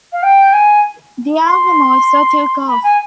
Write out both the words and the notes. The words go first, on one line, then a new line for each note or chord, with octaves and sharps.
The album also took off.
F5
G5
G#5
C6
B5
G#5